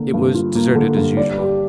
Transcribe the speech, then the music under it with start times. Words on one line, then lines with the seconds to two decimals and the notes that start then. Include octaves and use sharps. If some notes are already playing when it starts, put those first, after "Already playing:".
It was deserted as usual.
Already playing: D3 A#3
0.14 G2
0.35 F4
0.55 A#3
0.75 D3
0.97 G2
1.17 D5
1.39 G4